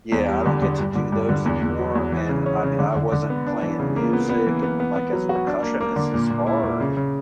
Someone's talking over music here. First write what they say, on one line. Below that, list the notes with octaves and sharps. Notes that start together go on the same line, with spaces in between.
yeah, I don't get to do those anymore, and, I mean, I wasn't playing music and, like, as a percussionist, it's hard, and,
E2
G3
D3
D3
G2
D3
G2
D3
E2
E2
F#3
E2
E3
C#3
C#4
C#3
D3
D3
D3
B3
D4
E3
C#3
A#3
B3
B3
E3
B3
B3
B3
F#3
F#4
D4
A#3
A#3
D3
A#2
A#2
E4
A#2
C#3
C#3